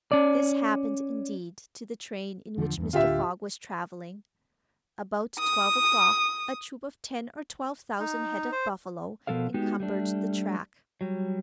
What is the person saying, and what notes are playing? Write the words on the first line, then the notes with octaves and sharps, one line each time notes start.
This happened, indeed, to the train in which Mr. Fogg was travelling. About twelve o'clock a troop of ten or twelve thousand head of buffalo encumbered the track.
C#4 D5
E2 D3 F3
E2 G2
D1 D3 F4 G4 E5
D#6
D#4
C5
B2 F3 A4 A#4 F5
G#3 B3 D#4 F#4 G4
G3 A3 D4
F#3 G3